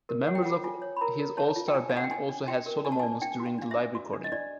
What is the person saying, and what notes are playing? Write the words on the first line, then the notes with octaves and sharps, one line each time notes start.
The members of his All-Starr Band also had solo moments during the live recording.
A#4
C#5 F#5
G5
F4 F#5
F4 G#5
C#5
B5
A#4 A#5
A#4
C#5 A5
F4
G5
D4 G#5
F5
D4 F#5
G5
D4 G#5
D4
F#4 G5
A#4
D4 G#5
A5
D4 G#5
D4 G5
F#4
F5
D4 F5
E5
D4
F#4
D4
D#5
D4 D5